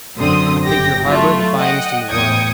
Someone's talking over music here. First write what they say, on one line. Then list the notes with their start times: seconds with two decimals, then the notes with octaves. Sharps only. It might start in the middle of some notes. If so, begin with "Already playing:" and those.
I think your harbor the finest in the world.
0.16 F#2 D3 C4 C6 D#6
0.64 G1 G4 G5 A#6
1.04 F#3 A3 E4 F4
1.58 D#5 F#5 G5
2.08 E2 A2 G5 D#6 G#6 C#7